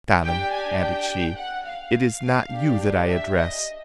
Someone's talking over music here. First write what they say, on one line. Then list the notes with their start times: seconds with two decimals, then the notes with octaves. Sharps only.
Ganem," added she, "it is not you that I address!
0.24 D4 G4 G5
0.52 G#5
0.80 G5
1.37 F#5
1.67 F5
2.51 D4 G4
3.09 E5
3.37 D#5